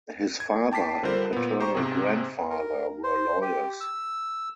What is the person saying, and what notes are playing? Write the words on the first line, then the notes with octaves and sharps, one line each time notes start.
His father and paternal grandfather were lawyers.
G#6
G5 A5 D6 B6 C7
D3 G3 F4 A#4 C5
A#2 B3
G4 C5 A#5 C#6
G#2 C3 C4 G#4
A#4
C5
G4
E6